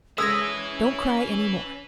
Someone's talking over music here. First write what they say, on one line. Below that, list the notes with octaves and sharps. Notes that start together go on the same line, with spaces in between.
Don't cry any more.
G#3 C#4 B4 E5 D#6 E6 G#6 A#6